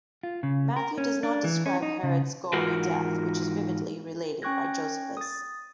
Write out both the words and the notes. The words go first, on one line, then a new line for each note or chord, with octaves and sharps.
Matthew does not describe Herod's gory death, which is vividly related by Josephus.
F4
C#3
A#4
C#4
D4
E3
C#4
D#4
C#3
G#2 E3 F4 F#4 A#4
C#4 G5 C#6 F#6 G#6 A#6
D#6 A6